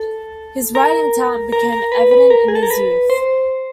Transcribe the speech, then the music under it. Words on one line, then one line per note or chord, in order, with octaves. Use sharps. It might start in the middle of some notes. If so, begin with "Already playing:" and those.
His writing talent became evident in his youth.
Already playing: A4
A#4
A#4
A#4
B4
B4
A#4
G#4
A4
A#4
B4
C5